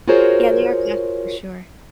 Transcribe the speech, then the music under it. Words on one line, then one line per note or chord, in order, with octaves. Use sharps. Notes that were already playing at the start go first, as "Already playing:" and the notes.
Yeah, they are classic for sure.
F4 F#4 G#4 A#4 C5 C#5